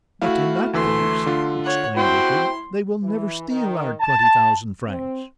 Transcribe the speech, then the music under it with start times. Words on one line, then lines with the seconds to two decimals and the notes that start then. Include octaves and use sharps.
"But, in that case," exclaimed Richard, "they will never steal our twenty-thousand francs!"
0.22 A3 E4 F#4 F5
0.73 D2 E3 A3 C6 E6
1.26 D3 F4
1.64 C#5 F#5
1.97 E4 F#4 C5 G5 C6
3.03 E3
3.49 D#3
3.99 A5
4.87 C4